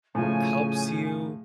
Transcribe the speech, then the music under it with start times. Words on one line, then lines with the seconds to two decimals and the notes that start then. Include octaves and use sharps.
helps you
0.15 A2 C#3 F3 G#5